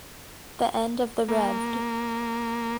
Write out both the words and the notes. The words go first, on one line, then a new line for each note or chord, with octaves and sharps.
The end of the Revd.
A#3